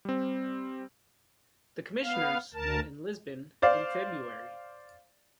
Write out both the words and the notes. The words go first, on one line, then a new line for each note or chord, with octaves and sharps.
The Commissioners met in Lisbon in February.
G3 C4
B3 F5
D2 A#4 A5
C5 D5 F5